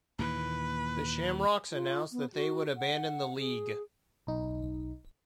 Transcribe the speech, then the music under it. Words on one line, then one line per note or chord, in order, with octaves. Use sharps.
The Shamrocks announced that they would abandon the league.
D#2 A#2 E3 B4
F4
B3
F#4
F#5
G#4
B1 D#4